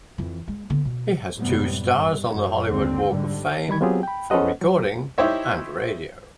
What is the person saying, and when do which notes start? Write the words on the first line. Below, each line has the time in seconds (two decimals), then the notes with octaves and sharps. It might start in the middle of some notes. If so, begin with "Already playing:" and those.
He has two stars on the Hollywood Walk of Fame; for recording and radio.
0.18 F2 E3
0.48 G#3
0.70 D3 B3
0.85 B2
1.38 F#2 A2 C3 G3 B3
1.82 G2
2.34 F#2
2.68 G#1 D#2 D3 C4
3.10 G#2 D3 G3
3.69 D#3 G3 B5 G#6
3.81 F#3 B3 C4 F4 G4 G#4
4.03 G5 B5
4.30 C#4 A4 B4 C5 D#5 F#5
4.62 F#3
5.18 D#4 E4 G4 C5 C#5 E5